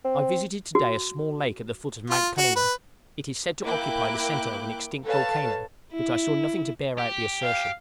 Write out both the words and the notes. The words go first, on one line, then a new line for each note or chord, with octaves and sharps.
I visited to-day a small lake at the foot of Mount Cunningham; it is said to occupy the centre of an extinct volcano: but I saw nothing to bear out the assertion.
C4
F#4
F4
F#4
B4
A#3 E4 G5 D6 F#6
A4 B4 C#5 F5 A5
E4
G4
F5